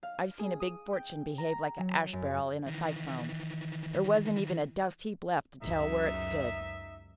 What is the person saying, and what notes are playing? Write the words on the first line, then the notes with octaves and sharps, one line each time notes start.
I've seen a big fortune behave like an ash-barrel in a cyclone--there wasn't even a dust-heap left to tell where it stood!
F5
G#4
D#6
G5
A#5
F#3
F#2
D#3 E3
C#2 F#2 D#4 E5